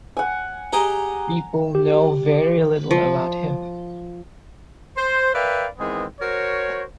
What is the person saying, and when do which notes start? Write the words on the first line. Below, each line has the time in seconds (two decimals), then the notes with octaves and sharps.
People know very little about him.
0.17 F#5 G#5
0.73 G4 G#4 D#5 A#5
1.75 G4
2.91 F3
4.96 C5
5.34 A#4 B4 D5 E5 F5 G5
5.77 D#3 E3 G#3 B3 C4 G#4
6.20 F#4 A#4 C5 C#5